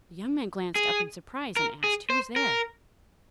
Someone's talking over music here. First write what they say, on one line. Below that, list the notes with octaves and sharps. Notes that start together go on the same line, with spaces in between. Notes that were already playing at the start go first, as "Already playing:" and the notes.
The young man glanced up in surprise, and asked who was there.
G#4
A#4
G#4
C5
A#4